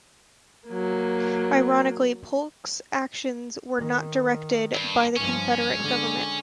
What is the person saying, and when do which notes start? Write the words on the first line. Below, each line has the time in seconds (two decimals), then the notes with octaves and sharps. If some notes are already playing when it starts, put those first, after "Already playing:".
Ironically, Polk's actions were not directed by the Confederate government.
0.68 F#3 A#3
3.78 D#3
4.75 G2
5.16 G2 F3 C#4
5.74 D3 G#3